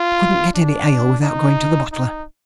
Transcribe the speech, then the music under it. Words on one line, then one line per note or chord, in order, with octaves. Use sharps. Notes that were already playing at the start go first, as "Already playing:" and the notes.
I couldn't get any ale without going to the butler.
Already playing: F4
D4
D#4
D#4